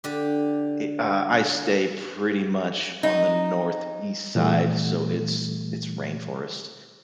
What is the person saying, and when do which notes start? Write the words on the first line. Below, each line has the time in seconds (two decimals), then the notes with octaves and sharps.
it uh, I stay pretty much on the northeast side, so it's it's rainforest.
0.04 D3 G4
3.03 D#4
4.35 A#2 E3 G3 A3